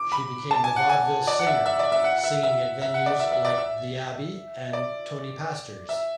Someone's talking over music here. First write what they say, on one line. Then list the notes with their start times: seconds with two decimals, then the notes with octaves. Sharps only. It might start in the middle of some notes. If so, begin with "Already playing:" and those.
She became a vaudeville singer, singing at venues like The Abbey and Tony Pastor's.
Already playing: D6
0.12 B5
0.51 A5
0.64 G#5
0.76 F#5
0.89 G#5
1.27 D5
1.39 F#5
1.47 E5
1.66 E5
1.79 D5
1.92 E5
2.04 F#5
2.18 F#5
2.24 E5
2.43 E5
2.82 E5
2.94 F#5
3.06 D5
3.20 E5
3.32 E5
3.45 D5
3.58 E5
4.73 D5
5.89 E5